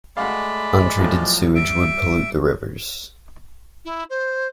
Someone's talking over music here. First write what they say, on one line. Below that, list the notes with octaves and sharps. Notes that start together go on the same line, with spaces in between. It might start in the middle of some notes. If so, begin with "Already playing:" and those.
Untreated sewage would pollute the rivers.
G#3 A3 F#4 D5 F5 B5
F2 A2 F3 F#3
G3 E5 D7
E4
C5